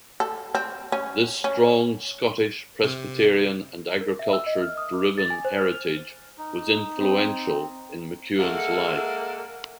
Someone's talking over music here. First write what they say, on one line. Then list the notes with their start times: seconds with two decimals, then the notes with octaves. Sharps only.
This strong Scottish, Presbyterian, and agriculture-driven heritage was influential in MacEwan's life.
0.20 A4
0.55 C4
0.92 C#4
1.44 C#4
2.83 C3
4.01 A#4
4.19 E5
4.33 E6
4.46 D#5
4.62 F6
4.77 D#6
4.93 D6
5.18 A6
5.30 G#5
5.45 C5
5.57 F6
5.71 F7
6.38 D#4
6.98 C4
8.38 G#3 A#3 A4 E5 F#5